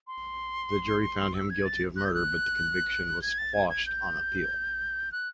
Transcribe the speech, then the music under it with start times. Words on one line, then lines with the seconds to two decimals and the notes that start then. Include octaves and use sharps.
The jury found him guilty of murder, but the conviction was quashed on appeal.
0.07 C6
1.34 E6
1.50 G#6
1.65 A6
1.96 F#6
2.05 G6
2.14 F#6
3.22 G#6
3.38 A6
3.53 G#6
3.70 G#6
3.86 G6
5.12 F#6